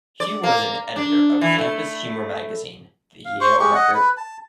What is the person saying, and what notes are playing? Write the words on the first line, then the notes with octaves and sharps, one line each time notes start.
He was an editor of campus humor magazine "The Yale Record".
D5
A#3
D4
E3
A3
F5
C5 C6 C#6
G#3 G4 C#6
D#5 F#5
B4
A5